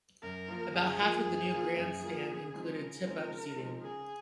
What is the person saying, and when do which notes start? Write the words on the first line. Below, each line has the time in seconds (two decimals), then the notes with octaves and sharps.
About half of the new grandstand included tip up seating.
0.22 F#2 A#4
0.48 F3 A#3 F4
0.74 F#2 G#4
0.99 F3 A#3 F4
1.25 F#2
1.51 F3 A#3 F4
1.76 F#2 G#4
2.02 F3 A#3 F4
2.29 C#3
2.54 F3 G#3 C4 D#4
2.79 C#3 A#4
3.06 F3 G#3 C4 D#4
3.31 C#3
3.56 F3 G#3 C4 D#4
3.82 C#3 G#4